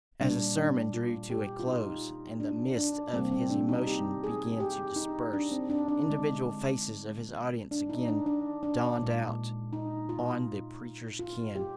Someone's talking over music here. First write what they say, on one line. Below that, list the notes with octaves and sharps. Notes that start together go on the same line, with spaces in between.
As the sermon drew to a close, and the mist of his emotion began to disperse, individual faces of his audience again dawned out on the preacher's ken.
A#2 G3 A#3 D4
D4
F4
G4
F4
D#4
D4
D4
C3 G3 A#3 C4
C4
D4
D#4
G4
G#4
G4
D#4
D4
C4
D4
D4
D3 G#3
D4
D#4
D4
D4
D4
A#2 G#3
D#4
F4
F4
G4